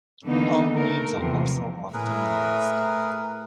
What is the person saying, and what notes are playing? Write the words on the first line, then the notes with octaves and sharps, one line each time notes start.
Palm leaves are also often used.
E2 D3 E3 A#3 B3 D#4
A3 A#4
E2 C3 F3
A2 G#4 A#4 B4